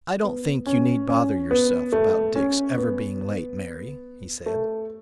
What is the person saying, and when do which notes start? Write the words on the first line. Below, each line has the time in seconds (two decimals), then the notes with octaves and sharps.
"I don't think you need bother yourself about Dick's ever being late, Mary," he said.
0.24 B3
0.67 C#4
1.09 C#4
1.51 B3
1.92 A3
2.35 C#4
2.78 B3
4.46 A3